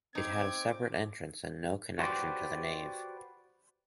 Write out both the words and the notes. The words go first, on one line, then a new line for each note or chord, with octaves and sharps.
It had a separate entrance and no connection to the nave.
C4 D#4 D6 G#6
F#4 G4 B4 C5 D5